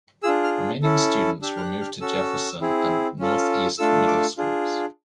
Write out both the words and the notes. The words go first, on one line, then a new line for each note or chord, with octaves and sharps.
Remaining students were moved to Jefferson and Northeast middle schools.
D4 F4 G#4 E6
F6
C#4 E4 A4
D4 G4 E6
F6
F#6
F6
C#4 F#4 A4 E6
C4 E4 G#4
C#4 F4 A4
A3 D4 F4 A4 E6
D6
D4 F4 G#4